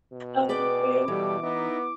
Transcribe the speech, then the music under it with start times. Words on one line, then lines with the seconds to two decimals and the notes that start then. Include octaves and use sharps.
Oh, man.
0.12 B2
0.49 G#4 B4 D5 G5 D6
1.08 B2 E3 G3 G4 A4
1.43 B3 D#4 D#5 E5